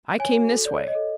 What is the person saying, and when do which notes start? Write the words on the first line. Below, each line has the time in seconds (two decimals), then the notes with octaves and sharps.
I came this way.
0.19 C#5 G#5
0.35 F#4
0.50 A4
0.64 C#5 D5
0.79 C#5
0.88 D#5
0.95 A4